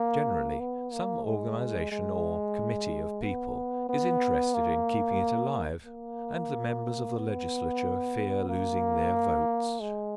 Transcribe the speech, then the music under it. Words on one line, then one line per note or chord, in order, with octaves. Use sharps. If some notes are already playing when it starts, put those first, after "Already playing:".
Generally some organization or committee of people is interested in keeping it alive, and the members of the Legislature fear losing their votes.
Already playing: A#3
B3
A#3
G#3
G#3
B3
B3
A#3
A#3
B3
A#3
G#3